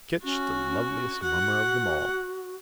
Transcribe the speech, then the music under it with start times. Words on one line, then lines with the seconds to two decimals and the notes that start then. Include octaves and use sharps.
Kinch, the loveliest mummer of them all!
0.24 C#4 F#4
1.23 F#4 F#5